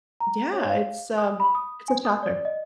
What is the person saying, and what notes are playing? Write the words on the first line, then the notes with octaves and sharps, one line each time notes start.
Yeah, it's, um, it's a shocker.
A#5
C#5
F5
D#6
B5
D#6
G#5
D#6
D5
D#5